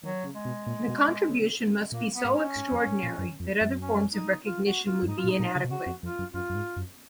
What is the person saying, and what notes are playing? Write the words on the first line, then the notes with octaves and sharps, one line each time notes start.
The contribution must be so extraordinary that other forms of recognition would be inadequate.
D#3 F#3
C#3
G#3
B2
A#2
B2
B2
C#3
A#2 A#3
B3
G#2
C#4
G#2
F2
G#2
A#2
F#2
F2
F#2
C#4
D#4
F4
F#4
F4
F#2
G#2 D#4
F4
A#2
D#4
A#2
C#3
B2
C#3 F#4
F2
F2 F4
F#2
F#2 F4
F#2
G#2
F#2